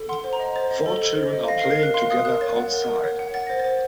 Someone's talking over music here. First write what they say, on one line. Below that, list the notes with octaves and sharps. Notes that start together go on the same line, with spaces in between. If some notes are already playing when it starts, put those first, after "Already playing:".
Four children are playing together outside.
Already playing: A4
F#5 C6
C5
A#5
D#5
C5 A6
D#5
A4
A4
C5
D#5
F5 A#6
C7
A#4
C7
A#4 F#6
F5 C6
F5 D#6
A#4 F#6
C#5 A6
F#5
A#4
A#4
C#5
F#5
F#5 A6
C5 A#6
C5 A6